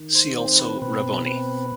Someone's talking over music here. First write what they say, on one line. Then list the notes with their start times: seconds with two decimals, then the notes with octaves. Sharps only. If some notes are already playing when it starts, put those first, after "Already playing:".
See also Rabboni.
Already playing: D#3
0.15 C5
0.37 C4 C5
0.59 B4
0.82 B2 B4
1.26 C4 B4